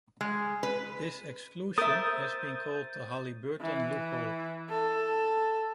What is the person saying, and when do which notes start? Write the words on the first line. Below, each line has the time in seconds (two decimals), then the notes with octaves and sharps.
This exclusion has been called the "Halliburton Loophole".
0.21 G#3
0.63 B4
1.78 A#4 C5 E5 D#6 G6 A6
3.61 E3
4.70 A4